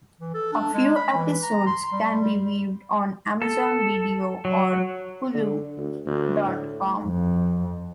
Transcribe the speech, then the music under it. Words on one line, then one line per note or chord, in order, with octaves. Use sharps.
A few episodes can be viewed on Amazon Video or hulu dot com.
E3
A4
D4
G#3
B5
E3
A#5
C6
G3
G3
A4
F#3
D3
D2
D2
A2
F2